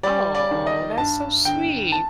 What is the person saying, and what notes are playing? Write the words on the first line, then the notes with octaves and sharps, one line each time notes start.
Oh, that's so sweet!
G3 D5
D5
D#3
D#5
G2 A5
D3 G5
A5